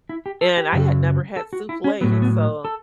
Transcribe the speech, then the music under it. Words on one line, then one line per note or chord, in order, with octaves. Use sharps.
and I had never had souffle, so,
E4
G4
A4
G4
F#2 C#3 F#3
A4
F#4
E4
C#4
A2 F#3 B3
A3
B3
A4